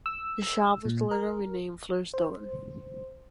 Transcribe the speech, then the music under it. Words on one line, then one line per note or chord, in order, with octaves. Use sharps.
The shop was later renamed Flerstore.
E6
A#2
A#4
C5